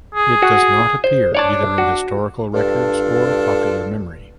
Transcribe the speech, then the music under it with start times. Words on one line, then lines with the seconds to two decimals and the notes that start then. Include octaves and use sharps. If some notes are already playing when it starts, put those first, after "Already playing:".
It does not appear either in historical records or popular memory.
0.15 G#4
0.42 F#4
1.04 C5
1.35 D4 C#5 D5 A5
1.78 F#4
2.54 G2 D4 F4 A4